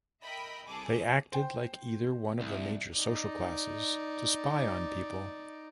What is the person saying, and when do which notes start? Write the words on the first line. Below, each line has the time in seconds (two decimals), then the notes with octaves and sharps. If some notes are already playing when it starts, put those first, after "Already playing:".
They acted like either one of the major social classes to spy on people.
0.22 A#4 D#5 E5 G5 B5
0.67 C2 G#4 A4 A5 D6
1.32 C5 G5
2.41 C2
2.97 D#4 D5